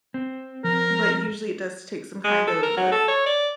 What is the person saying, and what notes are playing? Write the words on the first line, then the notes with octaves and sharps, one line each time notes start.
but usually, it does take some kind of, uh,
C4
F3 A#4
G#3
A4
A#4
F#3
A4
C#5
D5